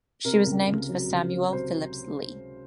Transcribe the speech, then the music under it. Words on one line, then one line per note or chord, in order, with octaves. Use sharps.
She was named for Samuel Phillips Lee.
C3 A#4
C#2
C#2
F#3
C#2
F#3
C3 C5